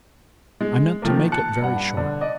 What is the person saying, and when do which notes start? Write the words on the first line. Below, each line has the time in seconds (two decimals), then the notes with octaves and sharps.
I meant to make it very short.
0.61 G#3
1.02 D#3 F3 A3 A#3
1.32 A5 F#6 C#7
1.62 G2 F#5
1.97 D3
2.21 D5 D#5